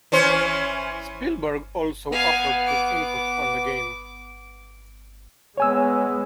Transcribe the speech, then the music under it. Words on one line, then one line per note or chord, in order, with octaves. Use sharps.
Spielberg also offered his input on the game.
E3 C#4 C5
B3 F5 G#5
D6
G#3 B3 C#5 G#5 E6